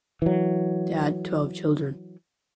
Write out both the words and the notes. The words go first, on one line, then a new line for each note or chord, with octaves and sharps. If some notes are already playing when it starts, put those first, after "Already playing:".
They had twelve children.
E3 F#3